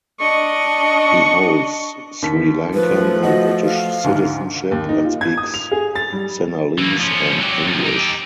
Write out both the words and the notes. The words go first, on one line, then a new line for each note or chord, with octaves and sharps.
He holds Sri Lankan and British citizenship, and speaks Sinhalese and English.
D4 D#5 C#6
D#2 B6
F3 A3 B4
F#4 D#5 F#5
F5
D2 G#2 D3
D#2
D#4
F4
G#6
D#6
F7
G#4
A6
G3
E3 A#3
F3 C#4
F#3 G4
F#2 F3
D#4 G4